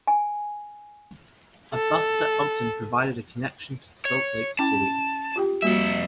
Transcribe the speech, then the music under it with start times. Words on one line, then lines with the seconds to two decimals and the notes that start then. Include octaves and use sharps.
A bus at Ogden provided a connection to Salt Lake City.
0.07 G#5
1.74 A4
4.05 C#5
4.59 C#4 E4 G5 A5
5.36 F4 G4 G5
5.62 F2 G3 A#3 F#4 E5